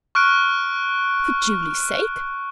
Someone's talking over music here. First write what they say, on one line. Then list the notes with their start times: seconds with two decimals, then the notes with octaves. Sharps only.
"For Julie's sake!"
0.15 C#6 F6 F#6 D7